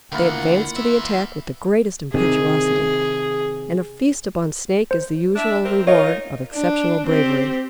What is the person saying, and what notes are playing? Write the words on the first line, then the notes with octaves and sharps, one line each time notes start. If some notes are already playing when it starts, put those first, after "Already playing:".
They advance to the attack with the greatest impetuosity, and a feast upon snake is the usual reward of exceptional bravery.
D2 A#3 E4 F4 F#5
B3 E5
C3 D#3 G#4
C5
D4 E5
C4 A#4
D#4 F4 A#4 C#5 D#5
D4
C4 G4